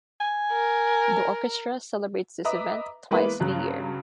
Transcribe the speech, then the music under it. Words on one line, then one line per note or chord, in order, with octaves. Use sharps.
The orchestra celebrates this event twice a year.
G#5
A#4
B4 D#5 E5 A#5 D6 D#6
E3 G#3 A#3 B3 E4 B4
G2 C#3 F#3 C#4 F#6